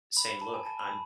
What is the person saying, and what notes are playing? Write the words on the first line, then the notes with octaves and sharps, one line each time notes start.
saying, "Look, I'm
B5
A5
G#5
A5
B5